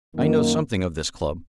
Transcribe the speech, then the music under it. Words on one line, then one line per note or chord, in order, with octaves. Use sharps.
I know something of this club.
F#2 D#3 A#3